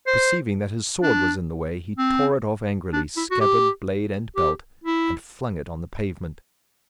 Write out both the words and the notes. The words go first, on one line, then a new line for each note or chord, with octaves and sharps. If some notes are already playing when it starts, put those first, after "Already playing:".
Perceiving that his sword was in the way, he tore it off angrily, scabbard, blade, and belt, and flung it on the pavement.
C5
D4
C4
D4
E4
F#4
G4
G4
E4